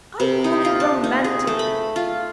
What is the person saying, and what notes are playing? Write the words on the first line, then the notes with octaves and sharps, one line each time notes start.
I call it romantic.
C3
D#4
F4
A5
D#4
G#4
A3
B5
F4